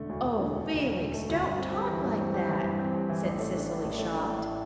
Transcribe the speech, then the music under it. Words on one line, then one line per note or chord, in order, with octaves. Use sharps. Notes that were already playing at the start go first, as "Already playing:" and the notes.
"Oh, Felix, don't talk like that," said Cecily, shocked.
Already playing: E1 D3 A3
D2
E1
D3
A3
D2
E1
D3
A3
D2
G2
C4
G4
E3
G2
C4
G4
E3
G2
C4
G4
E3
A1
A3
D4
A2
A1
A3
D4
A2